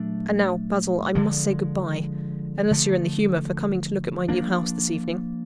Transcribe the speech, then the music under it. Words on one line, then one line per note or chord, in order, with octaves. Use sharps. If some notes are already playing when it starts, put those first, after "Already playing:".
And now, Basil, I must say good bye--unless you're in the humour for coming to look at my new house this evening.
Already playing: A#2 F#3 A3 D4
D3 F3 G#3
D3 F3 A3
F3 A#3 D4